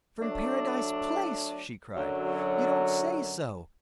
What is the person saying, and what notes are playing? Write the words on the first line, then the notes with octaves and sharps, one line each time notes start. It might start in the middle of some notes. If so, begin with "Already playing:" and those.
'From Paradise Place!' she cried, 'you don't say so!
F#3 A3 D4
F#2 D3 F#3